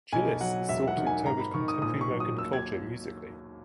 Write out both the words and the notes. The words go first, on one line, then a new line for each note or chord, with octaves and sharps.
Gillis sought to interpret contemporary American culture musically.
B1 G#5
F#3 F#5
E1 E5
F#5
D#3
G#5
G#1 A#5
B5
D#3 C#6
D#6
A#1 D#6
C#6
F#3
D#6
D#2 E6
G#6